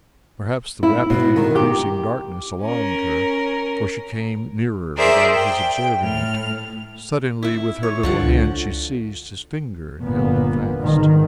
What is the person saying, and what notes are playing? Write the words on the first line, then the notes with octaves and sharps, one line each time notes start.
Perhaps the rapidly increasing darkness alarmed her, for she came nearer, without his observing it; suddenly with her little hand she seized his finger and held it fast.
E4
B2
D#3
G4
C#4 A#4
G#4 A#4 C5 D5 E5
G5
A2 F6
E4 E5
C#5
C#2 D3 F3 F#5
G1 A#2 A#3 B3
G#1 G#2 D#3